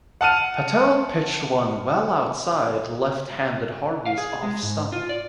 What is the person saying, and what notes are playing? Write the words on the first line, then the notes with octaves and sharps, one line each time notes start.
Patel pitched one well outside left-handed Harvey's off-stump.
F#5 A5 F6 D#7
F5
G#4
G#3
G#2
F4
D5